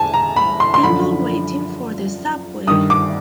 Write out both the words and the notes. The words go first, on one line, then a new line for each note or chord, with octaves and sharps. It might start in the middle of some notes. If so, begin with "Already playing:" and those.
People waiting for the subway.
Already playing: E2 G#5 A5
A#5
B5
C6
C6
F#2 D3 F3 B5
G2 D#3 D#6
D6